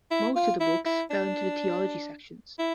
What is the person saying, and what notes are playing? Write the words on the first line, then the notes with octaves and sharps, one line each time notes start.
Most of the books fell into the theology sections.
E4
F4
E4
E4
D4
E4